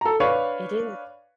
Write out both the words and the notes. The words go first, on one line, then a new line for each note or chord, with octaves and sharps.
It is.
A4 A#5
D4 B4 C#5 F5 C#6